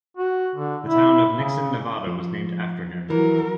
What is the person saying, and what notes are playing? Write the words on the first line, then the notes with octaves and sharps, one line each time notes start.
The town of Nixon, Nevada was named after him.
F#4
D3
E4
C#3
F3
E3 F#3 A#4